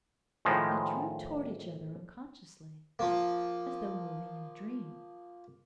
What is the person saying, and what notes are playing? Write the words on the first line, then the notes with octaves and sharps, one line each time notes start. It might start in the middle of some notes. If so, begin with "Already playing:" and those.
They drew toward each other unconsciously, as though moving in a dream.
A2 D#3 F3 G#3
F3 A#3